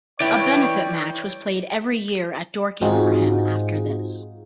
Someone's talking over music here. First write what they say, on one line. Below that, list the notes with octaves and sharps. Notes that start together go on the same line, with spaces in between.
A benefit match was played every year at Dorking for him after this.
E3 C#5 D5 G5
G#2 C4 D#4 F4 F#4 G#4